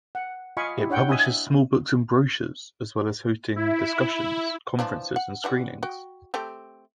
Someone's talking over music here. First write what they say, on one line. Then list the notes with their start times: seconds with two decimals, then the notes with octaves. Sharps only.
It publishes small books and brochures, as well as hosting discussions, conferences, and screenings.
0.15 F#5
0.57 F4 D#5 F5 G#5 B5 C#6
0.78 E4 G4
0.90 D4 C#5 F#5 G5
1.08 D#5 E5 G#5 D#6
1.24 E5
3.56 E4
4.79 E3 F3 D4
5.16 F#5
5.44 E3 G3 F#4
5.83 F#4 G5
6.34 A3 C4 G4